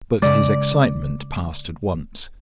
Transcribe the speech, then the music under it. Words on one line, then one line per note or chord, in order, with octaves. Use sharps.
But his excitement passed at once.
C#3 G#3 D5